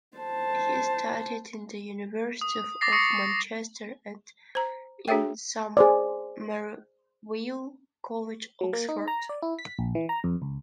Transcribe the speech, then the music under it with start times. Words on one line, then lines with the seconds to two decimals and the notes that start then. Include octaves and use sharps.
He studied in the University of Manchester and in Somerville College, Oxford.
0.17 C5 A5
2.41 D#6
2.81 D6 A6 A#6 C7
2.92 C#6 D#6 A#6 C7 C#7
4.55 C5 A#5
5.08 D4 F#4 G#4 C#5 E5 G5
5.77 G#4 C5 D5
8.61 F#3
8.73 A#3
8.89 D#4
9.08 A#5
9.29 D5
9.42 E4
9.59 B6
9.79 A#1
9.95 E3
10.09 A#5
10.24 F2
10.42 C#2